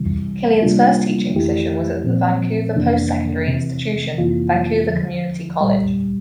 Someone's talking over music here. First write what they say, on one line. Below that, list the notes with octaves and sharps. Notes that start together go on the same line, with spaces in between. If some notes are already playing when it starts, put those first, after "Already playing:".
Kilian's first teaching position was at the Vancouver post-secondary institution, Vancouver Community College.
Already playing: C2 C3 E3 G3
C3 G3 A#3 D4 F4
F2 E3 A3 E4 G4
A#2 F3 C4
F2 C3 E3 A#3 D4
E2 C3 E3
F2 C3 E3 A#3 F4
E2 D3 F3
C2 A#2 G3